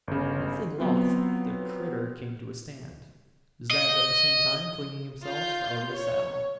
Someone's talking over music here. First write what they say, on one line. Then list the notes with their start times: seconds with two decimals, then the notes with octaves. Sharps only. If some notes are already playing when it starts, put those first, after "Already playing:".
Nothing loth, the "critter" came to a stand; Zeb, at the same time, flinging himself out of the saddle.
0.08 G1 C#3
0.78 F#3 B3 C4 F4
3.71 D#5
5.24 F4 G6
5.92 C#5